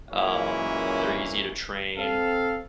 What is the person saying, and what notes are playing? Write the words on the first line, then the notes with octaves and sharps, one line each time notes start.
Um, they're easy to train,
F#2 A#2 E3 G#3 C#4 E4
C4 A4 F5